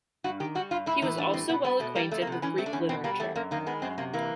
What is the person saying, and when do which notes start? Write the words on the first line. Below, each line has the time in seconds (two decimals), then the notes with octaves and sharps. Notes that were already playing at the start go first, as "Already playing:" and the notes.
He was also well acquainted with Greek literature.
0.24 G2 F#4
0.40 D#3 G4
0.55 G3 F#4
0.71 G2 F4
0.86 A2 E4
1.02 E3 D#4
1.18 G3 D4
1.33 A2 C4
1.49 B2 B3
1.64 G3 B3
1.80 B2 A3
1.95 G3 A#3
2.11 F2 A3
2.22 A#3
2.27 C3
2.32 B3
2.42 E3 C#4
2.58 A3 C4
2.66 D4
2.73 E2 C#4
2.89 B2 C4
3.04 G3 A#3
3.20 E2 A3
3.36 F#2 A#3
3.51 D#3 A#3
3.66 G#3 B3
3.82 F#2 C4
3.98 C3 A#3
4.13 E3 A#3